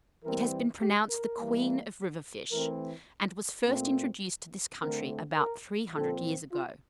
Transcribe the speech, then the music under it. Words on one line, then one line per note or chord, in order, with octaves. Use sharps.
It has been pronounced the queen of river-fish, and was first introduced to this country about three hundred years ago.
E3 G3 C4 A#4
G4
A#4
E3 G3 A#3
E3 A3 C4 A#4
A#2 A3 C4
D3 A3 C4 A#4
A#4
A#2 F3 C4 A4
F4